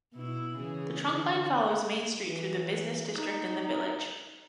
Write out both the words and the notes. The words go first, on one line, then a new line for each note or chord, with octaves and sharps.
The trunkline follows Main Street through the business district in the village.
B2 E4
C#3 E3 G#4
D3
E3
D#4